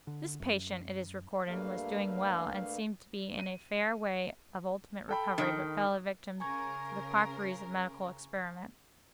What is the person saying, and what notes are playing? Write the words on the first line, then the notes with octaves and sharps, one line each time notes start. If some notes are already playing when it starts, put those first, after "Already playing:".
This patient, it is recorded, was doing well and seemed to be in a fair way of ultimate recovery, but fell a victim to the quackeries of medical experiment.
D3
F#2
G2 G3 A3 A#3 F5
D#7
A4 G5 B5
D#3
C#3 A#4 G#5 C#6 G#6